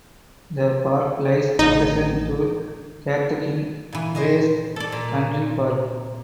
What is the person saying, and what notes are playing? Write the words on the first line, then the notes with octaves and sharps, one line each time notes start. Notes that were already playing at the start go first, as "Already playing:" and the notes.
The park lies adjacent to Cathkin Braes Country Park.
A1 D3 D#4
A#2 E3
C5 D#5 G#5
A4 D5
A#2